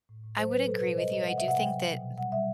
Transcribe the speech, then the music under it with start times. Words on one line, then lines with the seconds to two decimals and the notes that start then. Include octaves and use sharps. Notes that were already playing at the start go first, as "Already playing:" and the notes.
I would agree with you. I do think that th
0.09 A2
0.24 A2
0.38 F#3 C5
0.52 F#3 B4
0.66 B2 A4
0.79 B2 B4
0.93 C5
0.98 G3 D#5
1.12 G3 D#5
1.27 C3 F#5
1.38 E5
1.43 C3
1.48 F#5
1.58 F#3 G5
1.72 F#3
1.87 B2
2.03 B2
2.17 G3 F#5
2.32 G3 E5